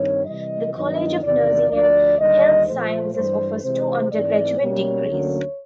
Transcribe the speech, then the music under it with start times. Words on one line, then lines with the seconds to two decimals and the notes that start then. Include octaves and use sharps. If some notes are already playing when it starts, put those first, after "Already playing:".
The College of Nursing and Health Sciences offers two undergraduate degrees.
Already playing: G2 D#3 C4 C#5
0.26 C3 E3 G3 D#5
0.74 G2 D#3 F#3 B3 D4 D#5
1.22 E2 C3 D#3 D5
1.70 D2 D3 F3 D5
2.19 D#2 D3 G3 D#5
2.67 A#2 F3 A3 C5
3.15 G2 E3 G3 C5
3.63 C3 E3 G#3 C4 C5
4.12 G#2 E3 A3 C4 D5
4.59 B2 G3 A#3 C#4 C#5
5.08 D2 D3 F#3 A#3 C#4